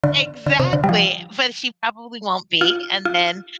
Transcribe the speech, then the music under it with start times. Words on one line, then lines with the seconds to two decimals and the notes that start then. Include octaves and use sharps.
Exactly, but, she probably won't be, and then,
0.04 D3
0.46 D3
0.60 C3
0.73 D3
0.84 G3
0.89 F3
2.61 F4
3.05 F4